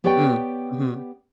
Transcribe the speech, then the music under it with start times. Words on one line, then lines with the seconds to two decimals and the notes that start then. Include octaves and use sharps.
Mm, mhm.
0.04 B3 G4 B4 C#5 D5 G5